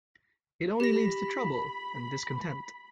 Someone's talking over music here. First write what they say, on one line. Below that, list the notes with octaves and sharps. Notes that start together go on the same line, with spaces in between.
It only leads to trouble and discontent.
G4 B5 A#6